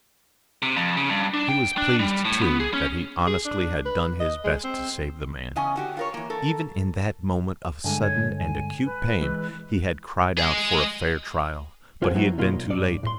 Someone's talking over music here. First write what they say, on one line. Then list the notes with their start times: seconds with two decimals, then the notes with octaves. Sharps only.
He was pleased, too, that he honestly had done his best to save the man. Even in that moment of sudden and acute pain he had cried out for a fair trial; but he had been too late.
0.62 C3
0.76 F2
0.97 C#3
1.10 G2
1.34 D4
1.49 G5
1.78 D4
1.99 G3
2.25 A2
2.42 B3
2.60 G#4
2.74 C#4
3.27 G#4
3.45 D4
3.86 B4
4.20 D#5
4.44 G#3
4.64 C4
5.56 E2 C#3 C#4 D#5 G#5
5.76 D3 F#4 G4
5.97 F4 A#4 C#5
6.14 E3 A#3
6.30 A4 A#4
7.84 G2 D3 G#3 G#5
8.02 C#5
8.39 G#5
8.85 B4
9.21 E3 G#3
10.38 G#3 G#4
12.02 C#2 F4 C5 F#5 G#5
12.15 F#3 B3 E4 A#5
12.38 B2 D#3 A#3 F4
12.53 B1
12.70 G2 D5
13.03 A2 C6